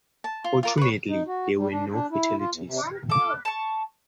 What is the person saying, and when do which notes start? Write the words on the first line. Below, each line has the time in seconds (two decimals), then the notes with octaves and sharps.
Fortunately, there were no fatalities.
0.24 A5
0.44 F4
0.63 F4 A#4 D5
0.78 B4 C#5
1.08 D#4
1.27 F#4
1.57 G3
1.72 D4
1.93 D4
2.11 E4
2.39 F4
2.52 E2
2.66 C3
3.10 A4 D6
3.45 A5 C#6